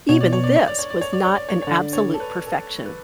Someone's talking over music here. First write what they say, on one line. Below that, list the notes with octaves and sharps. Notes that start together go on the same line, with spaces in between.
Even this was not an absolute perfection.
B2 C#5
D5
C#5
D5
C#5
D5
C#5
D5
C#5
D5
C#5
D5
C#5
C#5
D3 D5
C#5
A4
B4
A4
B4